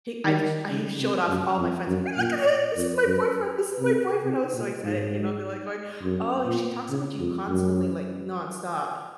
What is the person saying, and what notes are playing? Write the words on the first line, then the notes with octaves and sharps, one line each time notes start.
he I've I showed off all my friends, "Hey, look at him, this is my boyfriend, this is my boyfriend," I was so excited, you know? They're like going, "Oh, she talks about you constantly, like, nonstop."
D#3
C#3
C3
F#2
F2
F#2
A#2
F2
F#2
C3
C3
A#2
G#2
F#2
A#2
C#3
F2
F#2